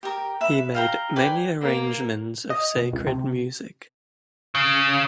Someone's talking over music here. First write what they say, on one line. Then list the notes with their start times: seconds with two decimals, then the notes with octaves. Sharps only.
He made many arrangements of sacred music.
0.03 G4 A#4
0.41 B4 E5
0.75 F5 G5 A#5
1.16 B4 D5 G5 G#5
1.61 A#3
2.50 D#5
2.76 B2
2.93 C#2
3.07 C3
4.55 C#3